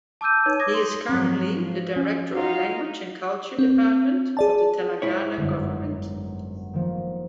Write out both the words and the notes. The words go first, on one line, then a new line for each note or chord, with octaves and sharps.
He is currently the director of Language and Culture department of the Telangana government.
A5 D6 E6 G6 D#7
D#4 B4 C#5
D6 D#6 G#6 A#6
C6
G#2 F3 F#3 C4
F3
C#4
D#4 F4 F#4 F5
C4
G#4 D5 A5
G#2 E4 C#5
G1 F#2
D#3 F3 A#3